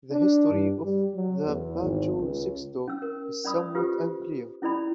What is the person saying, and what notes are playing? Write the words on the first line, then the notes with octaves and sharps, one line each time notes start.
The history of the bajo sexto is somewhat unclear.
D4
G2
G3
F#3
E2
G#1
C#2
C#4 E6
A#4
C#4 D5 B5 D#6 E6
F4 G4 A4 B4 C5
C#4 E4 A4 D5 B5